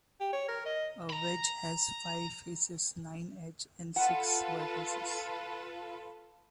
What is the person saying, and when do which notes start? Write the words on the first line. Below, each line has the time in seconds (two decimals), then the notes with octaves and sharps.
A wedge has five faces, nine edges, and six vertices.
0.20 G4
0.33 C#5
0.48 A#4
0.65 D#5
1.10 A#5 B5
3.96 F4 A4 B4 F#5